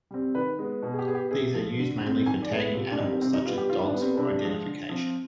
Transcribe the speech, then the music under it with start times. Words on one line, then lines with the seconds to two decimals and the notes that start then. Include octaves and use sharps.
These are used mainly for tagging animals, such as dogs for identification.
0.11 G3 C4
0.35 D#3 B4
0.59 G#3 B3
0.83 B2
0.93 G#4
0.99 G4
1.06 B3 G#4
1.15 G4
1.31 C3 G#4
1.55 F3 G#3
1.78 D3
2.02 G#3 C4
2.26 D#3 G#5
2.42 D5
2.50 G#3 B3
2.74 C3 F4
2.91 D4
2.98 D#3 G3 C4 D#4
3.22 C3 C4
3.34 D#4
3.46 G3 B3 F4
3.58 G4
3.69 D#3 F4
3.85 D4
3.93 G3 B3
4.02 C4
4.17 C3 D4
4.42 F3 G#3
4.65 D3
4.89 F3 C4